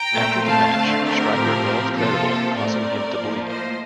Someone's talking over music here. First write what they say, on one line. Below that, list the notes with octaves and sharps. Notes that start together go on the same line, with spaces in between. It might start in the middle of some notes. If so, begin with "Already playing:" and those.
After the match, Striker nailed Credible, causing him to bleed.
Already playing: G5 A#5
A#2 A3 C4
F5 A5
D3 A3 C4
G4 A#4
A2 F3 C4
C3 F3 A#3 F4 A4
A2 A3 C4 A#4 D5
A2 F3 A#3
C5 D#5